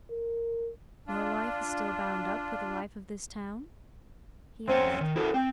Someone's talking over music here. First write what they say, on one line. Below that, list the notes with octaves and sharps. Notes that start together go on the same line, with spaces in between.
"Your life is still bound up with the life of this town?" he asked.
A#4
D4 F4
F2 C4 C#4 C#5
D#3
D2 E4 G#4 A#4
C4 G5